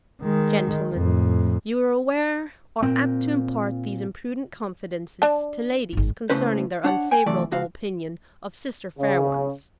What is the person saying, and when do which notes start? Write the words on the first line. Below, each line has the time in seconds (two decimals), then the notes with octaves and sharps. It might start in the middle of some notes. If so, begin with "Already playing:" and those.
Gentlemen, you are aware, are apt to impart these imprudent confidences to ladies concerning their unfavorable opinion of sister fair ones.
0.22 D#3 G#3
0.94 F2 A2
2.83 A#2 C4
5.22 D4 A5
5.93 G#1 G#2
6.30 A2 C#3 A3 C#4 B4 C5
6.84 D4 C#5 F#5
7.11 G5 G#5
7.26 F#2 C3 E3 A3 D5
7.52 C#2 F#4 F5
8.99 C#3